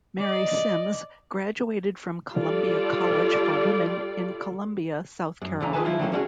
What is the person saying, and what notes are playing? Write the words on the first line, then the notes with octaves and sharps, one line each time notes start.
Mary Simms graduated from Columbia College for Women in Columbia, South Carolina.
D5 D#5
G3 F4 A4 D5
F#2
D#2 D3 E3 A#5
F4 G#4 B4 G#5 A5
F3 F#3 E4 F4
D#3 F#3 A3 A#3 C#4
C#4 D4 E4 F#4 G#4